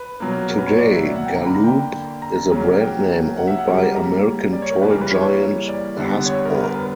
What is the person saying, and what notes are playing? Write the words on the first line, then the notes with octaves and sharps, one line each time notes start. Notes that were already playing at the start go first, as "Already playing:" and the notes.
Today Galoob is a brand name owned by American toy giant Hasbro.
Already playing: B4
B2 F#3 A#3
A#4
B4
C#5
D5
E5
E5
F#5
G5
D3 A#3 A#5
B5
A#5
G5
A#5
C#3 F#3 A#3
G5
F#5
E5
F#5
C#3 G3 A#3
A#5
D5
C#5
A#4
C#3 E3 G3 A#3 B4
A#4
B4
C#5
D5
D3 G3 B3
C#5
A#4
B4
A#4
B4
B4